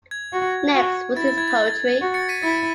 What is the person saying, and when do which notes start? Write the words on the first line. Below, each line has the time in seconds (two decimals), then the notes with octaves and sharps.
Next was his poetry.
0.11 G#6
0.33 F#4
0.75 F#4
1.16 E4 A6
1.28 A6
1.38 G#6
1.48 A6
2.01 F#4
2.14 A6 C#7
2.29 B6 D#7
2.42 E4 A6 C#7